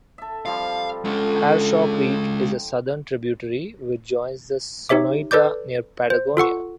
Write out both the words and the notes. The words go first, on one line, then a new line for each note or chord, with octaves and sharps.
Harshaw Creek is a southern tributary which joins the Sonoita near Patagonia.
A4 E5
F3 G3 C4 F5
D3 G#3 C#4
D#4 G4 C#5 E5 D6
A4 B4 D5 D6 G6
C5
F4 A4 F#5 C#6